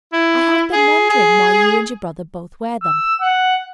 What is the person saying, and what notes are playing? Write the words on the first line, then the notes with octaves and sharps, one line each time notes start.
"I have been wondering why you and your brother both wear them."
E4
G#4
G#4
E6
F#5